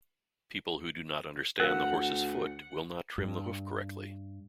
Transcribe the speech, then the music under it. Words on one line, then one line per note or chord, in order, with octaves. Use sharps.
People who do not understand the horse's foot will not trim the hoof correctly.
D2 A#4 F5 F#5
G2